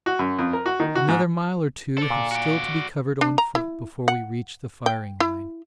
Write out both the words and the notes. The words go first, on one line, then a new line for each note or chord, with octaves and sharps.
Another mile or two have still to be covered on foot before we reach the firing-line.
F#4
F#2
F2
A#4
F#4
D#3
F#4
G#2
A4 C5 D5
A#2
F#4 D5
D4
A#5
E4
F#5
G5
E4